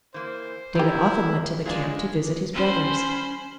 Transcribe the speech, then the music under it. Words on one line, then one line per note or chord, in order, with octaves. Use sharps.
David often went to the camp to visit his brothers.
E3 A#3 C5
E3 F3 C#4 D#4 E4 G4 A#4
G#3 D4 F4 G#4
C#4 C5 B5